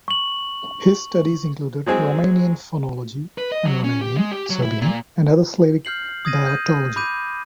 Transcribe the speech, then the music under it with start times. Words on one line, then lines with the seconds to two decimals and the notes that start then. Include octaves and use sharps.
His studies included Romanian phonology, and Romanian, Serbian, and other Slavic dialectology.
0.08 C#6 F#7
1.86 F#3 G#3 C4 G#4
3.38 B4
3.52 D#5
3.65 F#3
3.84 C#4
4.01 G4
4.17 G#3
4.32 G4
4.50 F#3
4.62 E4
4.81 A#2
5.85 F6 G6 C7 F#7
6.25 D#6 G#6 A#6 D#7
6.46 G6 D#7
6.96 B5 D6 G6 D#7